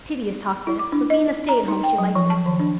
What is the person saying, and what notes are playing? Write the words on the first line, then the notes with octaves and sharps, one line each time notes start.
Tedious talk this, but being a stay-at-home she liked it.
E4
D6
D4
D#5
A#5
D#4
G5
F#3
F3
A5
D#3
D4